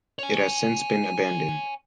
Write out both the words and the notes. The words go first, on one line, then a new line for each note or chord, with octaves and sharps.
It has since been abandoned.
C#5 G#5